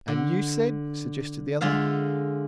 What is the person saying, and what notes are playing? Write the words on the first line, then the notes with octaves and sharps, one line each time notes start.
"And you said," suggested the other.
D3
D3 G#3 F4 E5 F5